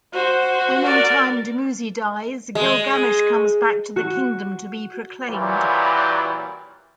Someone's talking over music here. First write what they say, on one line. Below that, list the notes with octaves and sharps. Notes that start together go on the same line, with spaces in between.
When in time Dumuzi dies, Gilgamesh comes back to the kingdom to be proclaimed.
F#4 C5
A#4 D5
G#3
F#4
A#2 E3 F#3 G3